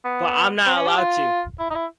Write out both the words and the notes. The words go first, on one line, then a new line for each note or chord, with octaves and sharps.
But I'm not allowed to.
B3
C4
C#4
G4
F4
E4
D#4
E4